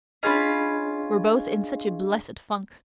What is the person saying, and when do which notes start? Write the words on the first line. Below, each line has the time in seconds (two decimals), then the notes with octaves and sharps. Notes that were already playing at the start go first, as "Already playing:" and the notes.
We're both in such a blessed funk.
0.23 C#4 D4 F4 G#4 D#5 B5